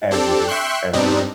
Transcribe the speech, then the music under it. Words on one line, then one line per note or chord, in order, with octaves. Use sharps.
As you do. As you do.
C4 D4 G4 A4
E5 G5 C6 C#6 F#6
G2 B2 G3 C4 D4 D#4